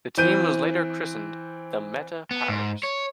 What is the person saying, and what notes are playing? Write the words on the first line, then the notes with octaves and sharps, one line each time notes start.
The team was later christened "The Meta Powers".
E3 C4 G6 D#7
B3
G#2
C#5